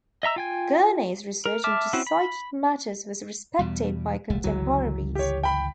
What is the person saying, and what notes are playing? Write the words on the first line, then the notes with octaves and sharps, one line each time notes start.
Gurney's research into psychic matters was respected by contemporaries.
D#5 E5 A#5 E6
F4 G5 G#5
A#4
E5 A5 D6 F6
C4 C#4 E4 F#4
B5
E2 B2 G3
D#1 C2 A3
G1 C#2 E3 F#3
G4 C#5
G5 B5